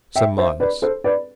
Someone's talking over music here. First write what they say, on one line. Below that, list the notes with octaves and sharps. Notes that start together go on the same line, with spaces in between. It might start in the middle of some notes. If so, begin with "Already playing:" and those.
"Some miles."
E5 G5
C5 E5
B4 D5
A4 C5
B4 D5